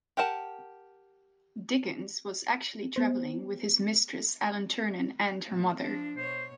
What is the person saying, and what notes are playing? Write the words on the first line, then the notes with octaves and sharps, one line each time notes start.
Dickens was actually travelling with his mistress Ellen Ternan and her mother.
G4 A#4 F#5 A5
B3 C5
A#2 A3
F3 D4
B2 C5 C#5